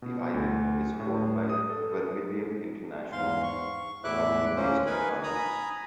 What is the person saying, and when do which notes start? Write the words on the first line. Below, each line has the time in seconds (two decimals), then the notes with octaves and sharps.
The island is owned by Vermilion International, a company based in the Maldives.
0.02 B2
0.34 D2
1.00 A2
1.49 D#6
1.70 A4
3.12 E2 G#2 F5 C6
3.43 C#6
4.04 E2 A2 E4 E5 D6 F#6
4.56 D2 A#3 C#4 C5
4.86 D#4 A#4 B4 G#5 B5
5.23 G#5 A#5 B5 D#6